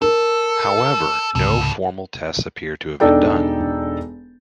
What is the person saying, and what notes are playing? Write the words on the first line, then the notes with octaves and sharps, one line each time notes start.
However, no formal tests appear to have been done.
A4 A#4 E6
C#2 G#2 C3 E3 A4
E1 D4 D#4 A4 D5 G5